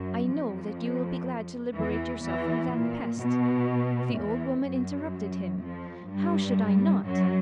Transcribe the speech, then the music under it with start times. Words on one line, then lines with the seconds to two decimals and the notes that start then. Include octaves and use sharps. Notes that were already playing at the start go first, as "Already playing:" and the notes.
I know that you will be glad to liberate yourself from that pest." The old woman interrupted him: "How should I not?
Already playing: F#2 F#3
0.32 F2 F3
1.76 E2 E3
2.24 E2 E3
2.72 A#2
3.20 B2
4.16 E2 E3
4.64 F#2 F#3
5.60 F2 F3
6.08 G2 G3
7.04 F#2 F#3